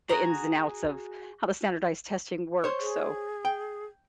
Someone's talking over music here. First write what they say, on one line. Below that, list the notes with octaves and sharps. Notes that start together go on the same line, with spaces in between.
the ins and outs of how the standardized testing works, so
F#4 G#4 A#5
C5 C#5
G#4
G5